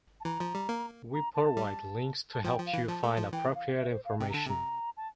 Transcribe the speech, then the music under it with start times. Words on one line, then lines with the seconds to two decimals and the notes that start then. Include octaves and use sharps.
We porovide links to help you find appropriate information.
0.20 A5
0.25 E3 A#5
0.40 F3
0.55 G3
0.69 A#3
1.13 A#5
1.34 A5
1.57 G3
2.33 A5
2.45 F3 G5
2.59 F3
2.66 F5
2.73 E3
2.88 F3 A5
3.03 A3
3.10 A5
3.17 F3
3.32 E3 G5
3.48 E5
3.55 F5
3.77 E5
3.90 C5
4.05 F5
4.20 C3 G5
4.29 A#5
4.34 D3 A5
4.46 C3 A#5
4.97 A5